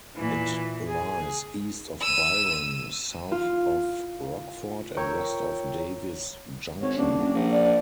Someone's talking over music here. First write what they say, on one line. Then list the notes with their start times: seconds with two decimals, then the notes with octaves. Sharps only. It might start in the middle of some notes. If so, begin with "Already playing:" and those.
It lies east of Byron, south of Rockford and west of Davis Junction.
0.16 A#2 E3
0.87 G#4
2.01 E6 D#7
3.32 F4
4.97 A#4 C#5 G5 C#6 E6
6.81 G#1 C#5
6.96 D#1 D4
7.18 F#1
7.35 A#1
7.50 D5